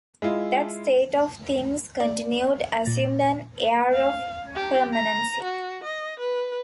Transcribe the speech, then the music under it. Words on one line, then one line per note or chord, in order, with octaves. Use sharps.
That state of things continued, assumed an air of permanency.
G#3 E4 F4
D5
A#2 D6 A6 A#6
F5
G4
A#5
F#4
D#5
B4